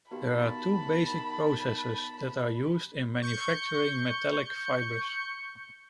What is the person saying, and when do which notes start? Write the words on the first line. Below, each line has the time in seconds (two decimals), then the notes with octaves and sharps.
There are two basic processes that are used in manufacturing metallic fibers.
0.11 D#3 B3 F#4 G4 A5 B5
3.22 C#6 G6 C#7